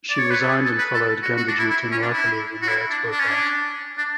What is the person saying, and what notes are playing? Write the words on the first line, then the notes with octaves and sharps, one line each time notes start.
She resigned and followed Gandhiji to Noakhali when riots broke out.
D5
C#5
B4
A4
G#4
A4
B4
A4
F#4
F#4
D4
E4
E4
C#4
D4
E4
F#4
E4
D4
D4
C#4
D4
D4